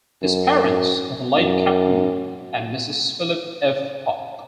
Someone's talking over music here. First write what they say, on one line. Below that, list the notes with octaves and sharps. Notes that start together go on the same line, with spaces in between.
His parents are the late Captain and Mrs. Phillip F. Hauck.
F#2
F#2